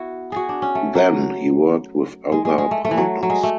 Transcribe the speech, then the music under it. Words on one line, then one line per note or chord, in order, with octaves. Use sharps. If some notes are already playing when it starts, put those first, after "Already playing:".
Then, he worked with other partners.
Already playing: B3 E4 F#4
F#4 G#4
D4
C#4
A3
F#3
G#3
G#3
G#3
A3
A3
E3
F#3
F#3
G#3
A3